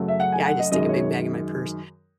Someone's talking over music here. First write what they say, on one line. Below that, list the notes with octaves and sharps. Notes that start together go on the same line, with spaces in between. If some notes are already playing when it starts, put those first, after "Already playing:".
Yeah, I just stick a big bag in my purse,
Already playing: F#2 C#3 F#3 A3
E5
F#5
G#5
F#5
D#5
F#2 D#3 G#3 D#5
C#5